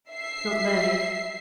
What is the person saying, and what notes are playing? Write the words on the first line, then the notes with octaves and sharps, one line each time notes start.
Not they!
E5 C7